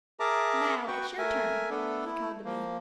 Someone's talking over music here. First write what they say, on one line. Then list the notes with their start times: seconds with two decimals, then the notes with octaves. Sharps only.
"Now, it's your turn," he called to me.
0.20 G#4 A#4 E5 A5 A#5 D6
0.88 F#4 B4 F#5 G5 C#6
1.18 A3 A#4 E5 G#5
1.70 A3 B3 D4 A4
2.05 E4
2.45 F3 A#3